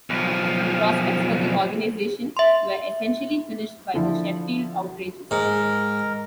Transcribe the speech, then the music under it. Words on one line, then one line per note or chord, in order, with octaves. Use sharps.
The prospects for the organisation were essentially finished by the Sheffield Outrages.
B1 F3
E5 C6
D3 F3 E4 F4
G#2 A#4